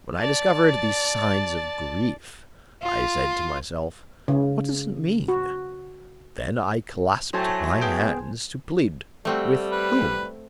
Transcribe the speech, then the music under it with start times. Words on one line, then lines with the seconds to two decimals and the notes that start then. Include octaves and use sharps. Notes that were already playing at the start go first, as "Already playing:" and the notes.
When I discovered these signs of grief, I said to myself: "What does it mean?" Then I clasped my hands to plead with--whom?
0.16 D5 A5
2.83 F4
4.28 C#3
5.28 F#4
7.33 A2 F#3 A3 C5 G#5 A5
7.81 B3 G#4 G5
9.25 G3 A3 C4 F#4
9.72 B4